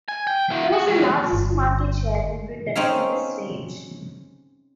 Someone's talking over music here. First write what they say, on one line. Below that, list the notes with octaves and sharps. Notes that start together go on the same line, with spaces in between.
It holds the largest market share in Britain in this range.
G#5
G5
E4 F#4
F#4
E3 G#3
G1
C4 C#4 D#4 G#4 E5 F5